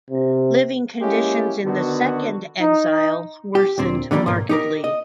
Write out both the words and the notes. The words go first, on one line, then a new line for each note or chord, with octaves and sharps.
Living conditions in the "second exile" worsened markedly.
C3
G#3 A#3 C#4 E4 G4
D3 D#3 B3 F#4
D#4
G4
D2 A#2 C4
D3 D#3 G3 A3 A#3
B1 G#2 A#3
D#4 G4 A#4
D#5